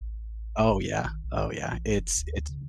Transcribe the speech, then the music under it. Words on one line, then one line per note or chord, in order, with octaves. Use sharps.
Oh yeah, oh yeah, it's it's
A1
G1
D#3
A1
B1
E3
A#1
F1
D2
C#3